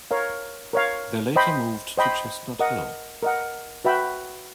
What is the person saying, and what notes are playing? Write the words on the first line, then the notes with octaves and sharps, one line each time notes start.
They later moved to Chestnut Hill.
A#4 C#5 F5
A#4 C#5 F5
C5 D#5 G5 B5
C5 D#5 G5 B5
A#4 D#5 F#5
A#4 D#5 F#5
F#4 B4 E5 G5 B5